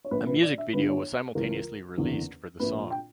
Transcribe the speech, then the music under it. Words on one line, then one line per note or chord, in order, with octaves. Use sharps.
A music video was simultaneously released for the song.
C#5
A#1 A#2 B4
B4
D5
E5
G1 G2 D3 B4
C#5
C#2 C#3 E3 A#4
F#1 E2 D3
A#1 A#2 B4
G5